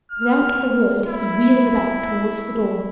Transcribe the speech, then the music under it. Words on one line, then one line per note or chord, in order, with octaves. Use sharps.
Without a word he wheeled about towards the door.
F6
E4